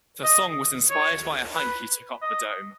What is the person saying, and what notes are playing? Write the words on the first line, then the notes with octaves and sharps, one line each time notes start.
The song was inspired by a hike he took up the dome.
D#5
C#5
B4
D#5